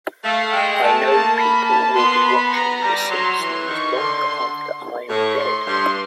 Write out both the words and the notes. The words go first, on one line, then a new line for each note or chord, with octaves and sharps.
I know people will be watching "The Simpsons" long after I'm dead.
A3 F5
G#3 G5
A3 A5
A#3 A5
B5
A5
B3 C6
B5
B3 A#5
G3 A#5
F#3 C6
E3 C6
D#3 C#6
D3 C6
A2 C#6
C6
G2 C6